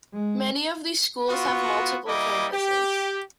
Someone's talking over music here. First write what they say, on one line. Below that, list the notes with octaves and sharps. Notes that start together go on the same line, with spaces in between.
Many of these schools have multiple campuses.
G#3
B3 F4 F#4
G3 A#3 E4 D#5 D6
G4